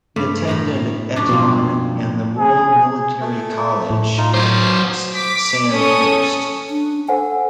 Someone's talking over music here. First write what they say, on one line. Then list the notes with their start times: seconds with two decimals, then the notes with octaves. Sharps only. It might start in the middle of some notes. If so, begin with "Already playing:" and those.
He attended Eton and the Royal Military College, Sandhurst.
0.16 G2 A3
0.47 A2 A#5 B5
1.16 F#2 D4
1.29 B2 F3 A#3 C4
2.38 G#4
3.21 A3
3.90 A2
4.18 D#4 F4
4.34 F#3 C5 D6
5.16 D6 B6
5.71 C#4 A4 D#6
6.70 D4
7.08 A4 C5 F#5 G#5